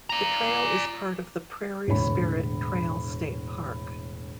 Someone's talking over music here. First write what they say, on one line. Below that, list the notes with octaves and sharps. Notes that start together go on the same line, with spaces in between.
The trail is part of the Prairie Spirit Trail State Park.
D5 A#5
E1 A2 D3 C#5 B5